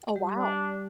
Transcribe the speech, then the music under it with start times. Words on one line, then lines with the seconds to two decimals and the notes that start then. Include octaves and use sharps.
Oh, wow.
0.15 G3 G4
0.38 D4